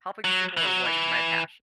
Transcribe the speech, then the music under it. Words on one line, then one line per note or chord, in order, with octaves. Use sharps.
helping people is, like, my passion,
F#3
E3
F#3
E3